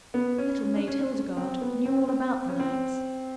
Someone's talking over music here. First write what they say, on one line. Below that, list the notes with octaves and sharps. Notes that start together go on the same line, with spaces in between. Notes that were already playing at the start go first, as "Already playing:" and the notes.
Little Maid Hildegarde knew all about the knights.
B3
C#4
C#4
D4
C#4
D4
C#4
C4
B3
C4
C#4
C4
C#4
C4